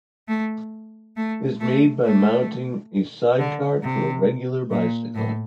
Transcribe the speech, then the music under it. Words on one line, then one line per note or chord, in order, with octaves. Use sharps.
It is made by mounting a sidecar to a regular bicycle.
A3
A3
A3
A3
D3
C3
A#2
A2